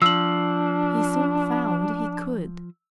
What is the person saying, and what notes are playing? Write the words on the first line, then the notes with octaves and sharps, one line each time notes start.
He soon found he could.
F3 D4 E6 F#7